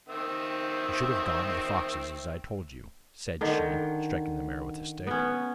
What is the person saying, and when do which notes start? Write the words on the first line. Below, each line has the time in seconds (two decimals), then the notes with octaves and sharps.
'You should have gone to the foxes, as I told you,' said she, striking the mare with a stick.
0.09 D#3 C4 E5
3.41 D3 D#3
5.07 B3 C#4